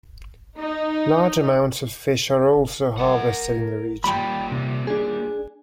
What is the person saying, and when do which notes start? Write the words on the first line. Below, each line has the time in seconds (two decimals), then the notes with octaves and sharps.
Large amounts of fish are also harvested in the region.
0.58 D#4
2.98 A#4 F#5
4.04 A#2 G3 G5 B5
4.52 C3
4.87 D4 G#4